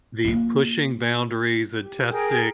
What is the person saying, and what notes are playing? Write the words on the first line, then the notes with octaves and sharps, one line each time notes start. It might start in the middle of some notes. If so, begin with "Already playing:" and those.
the pushing boundaries and testing,
A#3 F4
G4
G#4 A#4 G5